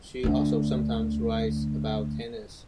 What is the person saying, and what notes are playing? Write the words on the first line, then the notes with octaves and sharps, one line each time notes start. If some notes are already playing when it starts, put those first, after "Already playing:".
She also sometimes writes about tennis.
D2 D3